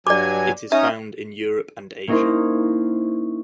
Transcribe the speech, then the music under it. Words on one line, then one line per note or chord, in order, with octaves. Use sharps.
It is found in Europe and Asia.
G2 F#3 D5 G#5 D6
C#4 D#4 E5 D#6
A#3 C#4 D#4 E4 A#4 C5